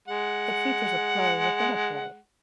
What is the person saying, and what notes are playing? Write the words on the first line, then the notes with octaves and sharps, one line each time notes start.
It features a play within a play.
G#3 F#5